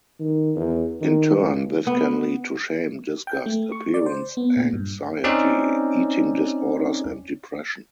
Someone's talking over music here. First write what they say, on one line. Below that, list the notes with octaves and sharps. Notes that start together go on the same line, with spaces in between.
In turn, this can lead to shame, disgust, appearance anxiety, eating disorders and depression.
D#3
E2
D#3
C#2
B3
G5
A3
C#6
D5
C5
B3
A#2
G2
C4 C#4 D#4 D5